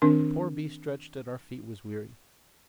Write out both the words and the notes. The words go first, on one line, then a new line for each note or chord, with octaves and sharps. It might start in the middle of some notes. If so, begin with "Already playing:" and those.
The poor beast stretched at our feet was weary.
D#3 C4 D4 A#4